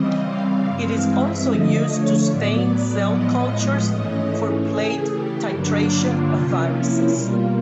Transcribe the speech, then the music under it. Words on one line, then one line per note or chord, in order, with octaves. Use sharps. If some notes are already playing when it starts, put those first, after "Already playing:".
It is also used to stain cell cultures for plate titration of viruses.
Already playing: C#3 E3 G3 C4 D#5
F5
G2 E3 G#3 C4
E5
D3 F3 A3 D#5
C#5
A2 F#3 B3 D5
A2 F3 G#3 B3 D#5
G#2 E3 A3 C#4 D#5
C#3 E3 A3 G#4
G4
G2 D3 F#3 A#3 D4
F4
C3 F3 A#3 C#4
E4
B2 G3 A#3 F4